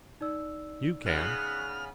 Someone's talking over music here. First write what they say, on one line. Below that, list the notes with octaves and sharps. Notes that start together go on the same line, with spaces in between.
You can.
D#4 D5 E6
C#3 B3 F6 F#6